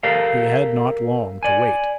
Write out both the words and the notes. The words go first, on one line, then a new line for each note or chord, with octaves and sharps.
He had not long to wait.
G4 A4 A#4 D#5 F5
D5 G#5